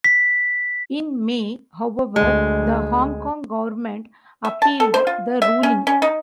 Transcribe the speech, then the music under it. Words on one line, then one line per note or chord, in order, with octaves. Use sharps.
In May, however, the Hong Kong Government appealed the ruling.
B6
D2 G#3
E5
A5
A4
C5
F4
E5
C#4
C#4
D#4